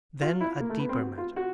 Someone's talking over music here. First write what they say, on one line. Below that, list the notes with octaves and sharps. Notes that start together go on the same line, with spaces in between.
Then a deeper matter.
F4
E4
A#3
A3
B3
C4
F#4
F4
F#4